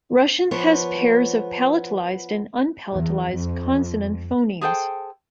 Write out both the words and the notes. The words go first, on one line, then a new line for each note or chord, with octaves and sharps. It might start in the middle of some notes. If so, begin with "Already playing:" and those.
Russian has pairs of palatalized and unpalatalized consonant phonemes.
F3 B3 C#5
E2
F2
G#4 A4 C5 G5